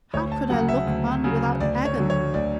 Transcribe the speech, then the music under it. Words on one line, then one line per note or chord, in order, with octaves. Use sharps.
How could I look on without agony?
D2 C#5
A5
C#3 F#3 F#5
E5
D2
C#3 F#3
D2 D5
C#5
D3 F#3
C#5
D2 D5